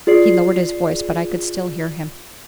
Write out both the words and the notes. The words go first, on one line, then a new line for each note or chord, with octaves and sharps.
He lowered his voice; but I could still hear him.
F4 G#4 D5 C7